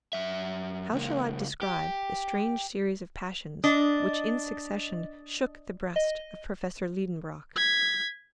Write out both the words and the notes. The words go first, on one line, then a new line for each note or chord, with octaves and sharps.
How shall I describe the strange series of passions which in succession shook the breast of Professor Liedenbrock?
F#2 E5
C#2 A#3
G4
D4 D#5 D#6
D#5
G#6 B6